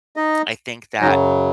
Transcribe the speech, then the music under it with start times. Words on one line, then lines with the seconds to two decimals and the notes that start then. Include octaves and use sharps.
I think that,
0.16 D#4 D#5
1.01 F#2 C#3 F#3 D#4 D#5